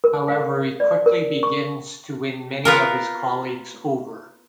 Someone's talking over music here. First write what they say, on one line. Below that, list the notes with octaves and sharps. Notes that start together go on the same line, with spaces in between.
However, he quickly begins to win many of his colleagues over.
A#4
F5
D5
A#4
C#6
B3 F4 A#4